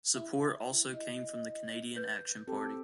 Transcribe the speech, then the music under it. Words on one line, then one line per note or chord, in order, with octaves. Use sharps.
Support also came from the Canadian Action Party.
E4
D#5
B4 G6
C4 G4 A4